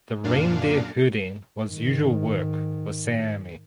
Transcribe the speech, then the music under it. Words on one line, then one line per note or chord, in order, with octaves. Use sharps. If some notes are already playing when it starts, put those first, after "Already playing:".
The reindeer herding was usual work for Saami.
F#2 A#2 D4 F5
G#2 D#3